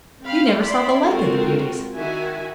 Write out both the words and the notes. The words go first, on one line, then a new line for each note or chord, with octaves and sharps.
You never saw the like of the beauties!
C4 F5 G5 B5
E4 D5 B5 C6
G#3 C4 F4 F#4 A4 A#4
D#3 E4 F#4 E5 G#5